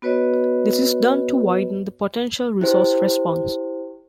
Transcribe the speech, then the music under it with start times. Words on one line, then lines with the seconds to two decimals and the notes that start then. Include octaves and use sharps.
This is done to widen the potential resource response.
0.02 B3 F#4 B4 C#5 D#5
2.61 E4 G4 C5